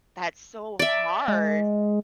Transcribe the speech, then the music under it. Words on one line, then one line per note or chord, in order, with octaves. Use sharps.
That's so hard.
D5 E5
G#3